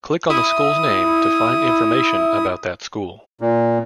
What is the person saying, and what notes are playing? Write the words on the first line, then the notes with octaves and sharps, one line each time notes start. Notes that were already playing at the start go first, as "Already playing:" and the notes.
Click on a school's name to find information about that school.
E4 D#6
A#2